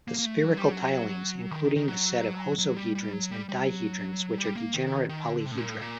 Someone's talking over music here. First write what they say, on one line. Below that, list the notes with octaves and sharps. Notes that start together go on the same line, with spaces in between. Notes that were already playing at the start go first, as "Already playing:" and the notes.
The spherical tilings including the set of hosohedrons and dihedrons which are degenerate polyhedra.
A#3
A#3
A3
F#3
G3
F#3
D#3
D#3
F#3
F#3
G3
G3
F#3
G3
G3
F#3
G3
A#3
D#3
D#3
D3
C3
A2
A#2
A2
A#2